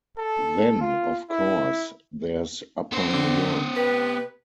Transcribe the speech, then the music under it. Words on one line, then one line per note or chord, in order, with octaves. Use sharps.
Then, of course, there's upper New York.
A4
F4
E4
B3 C5
D3
C3 G4 B4